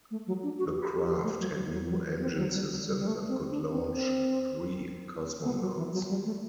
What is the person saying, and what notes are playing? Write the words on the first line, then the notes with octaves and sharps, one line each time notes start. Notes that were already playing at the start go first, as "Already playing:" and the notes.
The craft had new engine systems and could launch three cosmonauts.
A3
F#3
D4
F#4
G4
G4
G4
A3
F#3
F#3
F#3
F#3
E3
C4
F#3
G3
F#3
G3
G3
A3
C4
D4
C4
C4
B3
F#3
E3
F#3
G3
A3